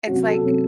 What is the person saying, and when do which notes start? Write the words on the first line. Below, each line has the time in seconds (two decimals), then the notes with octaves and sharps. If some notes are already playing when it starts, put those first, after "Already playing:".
it's like,
0.07 C3 F#3 C#4 F#4
0.25 A4
0.41 C3 F#3 C#4